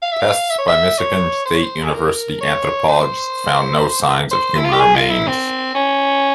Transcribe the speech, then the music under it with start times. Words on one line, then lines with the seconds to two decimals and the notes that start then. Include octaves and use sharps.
Tests by Michigan State University anthropologists found no signs of human remains.
0.02 F5
0.12 E5
0.20 F5
0.50 E5
0.58 C#5
0.68 E5
0.98 C#5
1.45 C5
1.54 C#5
1.63 C5
1.84 G#4
1.93 A#4
2.41 C#5
2.88 C5
4.31 C5
4.57 E4
4.65 F4
4.72 G4
4.80 G#4
4.95 F4
5.10 E4
5.27 C4
5.75 C#4